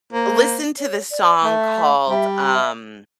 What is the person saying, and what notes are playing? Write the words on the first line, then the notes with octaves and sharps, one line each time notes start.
listen to this song called, um,
A#3 C5
C#5
D5
A3 E5
G3 E5
E5